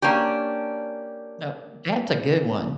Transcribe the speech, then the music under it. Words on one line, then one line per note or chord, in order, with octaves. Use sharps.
No that's a good one.
A#3 C#4 D4 G4